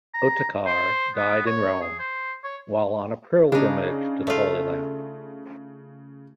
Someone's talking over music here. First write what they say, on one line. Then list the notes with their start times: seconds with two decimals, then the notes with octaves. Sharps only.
Ottokar died in Rome, while on a pilgrimage to the Holy Land.
0.14 A#5
0.67 C5
1.16 B3
1.46 C#5
1.81 G#4
1.99 C5
2.44 C#5
3.52 C#3 D4 D#4
4.27 A3 F4